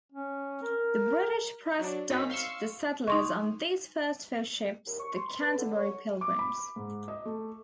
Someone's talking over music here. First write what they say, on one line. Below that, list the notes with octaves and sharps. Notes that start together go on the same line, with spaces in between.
The British press dubbed the settlers on these first four ships the Canterbury Pilgrims.
C#4
A#4
F#3 D4
F#2 C4 C#4 D#4 B6
F5 C6 C#6 E6
D#4 C6 C#6
D#2
C#6
C6
B5
B4
D3
C#5
D6
B5
G#2
D#5
A3